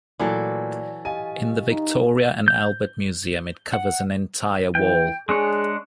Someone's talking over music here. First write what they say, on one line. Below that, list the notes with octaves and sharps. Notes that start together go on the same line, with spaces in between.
In the Victoria and Albert Museum it covers an entire wall.
A#2 E3 F#3 A3 A4 D5
G4 D#5 F5 G#5 D#7
D#4
G6
F#5
E3 G5
G#3 D4 G#4 C#5